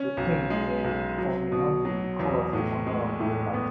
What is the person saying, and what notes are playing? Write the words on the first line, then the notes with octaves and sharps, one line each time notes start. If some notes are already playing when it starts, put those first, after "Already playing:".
The paint may or may not be colorful under ordinary light.
Already playing: C#4
B1
G#3
B1
F#3
B2
F#3
E2
A2
G#3
A2
B3